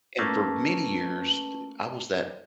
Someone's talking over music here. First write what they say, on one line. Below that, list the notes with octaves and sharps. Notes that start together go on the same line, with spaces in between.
and for many years, d I was that
A3 A#3 C#4 B4 A5